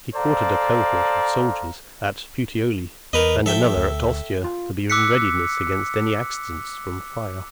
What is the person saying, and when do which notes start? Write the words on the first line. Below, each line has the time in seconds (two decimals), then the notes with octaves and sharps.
He quartered a cohort of soldiers at Puteoli, and another at Ostia, to be in readiness against any accidents from fire.
0.14 A4 C5 D5 F5 A#5
3.13 E2 A#4 B4 D#5
3.46 F3 A4 E5 G5
3.76 D2
4.44 F4
4.90 D6 E6 F#6 B6 C#7